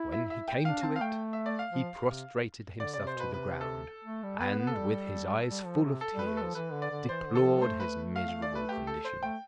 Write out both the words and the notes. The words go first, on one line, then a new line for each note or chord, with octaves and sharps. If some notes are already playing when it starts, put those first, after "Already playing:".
When he came to it, he prostrated himself to the ground, and, with his eyes full of tears, deplored his miserable condition.
Already playing: E4
E5
E5
G5
D4 F5
C4 A5
F5
A3 G5
E5
D5
F5
F3
C3
D3 D5
C3 D5
C5
B2 B4
C3 B4
A4
A3
G3
B3 B4
B3
A4
G3
G3
F3
C3
A4
G3 B4
A3
F3 A4
E3 B4
D3
D5
D3
E3 C5
D3
A4
F3
A3 C5
B4
F5
F5
D5
B4
G4
A4
C5
A3 G5